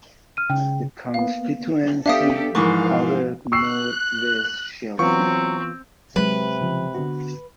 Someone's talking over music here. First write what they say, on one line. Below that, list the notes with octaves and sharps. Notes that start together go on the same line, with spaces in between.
The constituency covered north west Sheffield.
F6 D#7
C#3 G5
A#3 B3 F5
B3 D4 G4 A4 E5 F5 D#6
G#2 E3 F3 A#4 F5 C#6 D6
C#6 E6 F#6 C7
E3 F#3 B3 C4 F4 C#6
C3 F#3 G#3 B4
C#3 F3
D3 B3 F#4